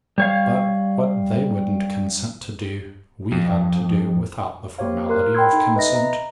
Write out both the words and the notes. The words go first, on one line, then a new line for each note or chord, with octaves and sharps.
But what they wouldn't consent to do, we had to do without the formality of consent.
G3 C#5 F5
F2
A#3 G4 C5 C#5 F5
A#4 C6 F#6
G5 B5 C6 E6 G#6
D#4 A4
B4 D#5 E5 A#6
A#5